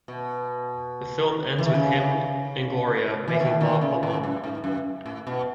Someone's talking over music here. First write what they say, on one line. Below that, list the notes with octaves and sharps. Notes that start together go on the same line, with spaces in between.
The film ends with him and Gloria making love alone.
B2
E3
D#3
C#3
E3
B2 D#3
B2 D#3
C#3
A2
F#2
G#2
F#2
A2
B2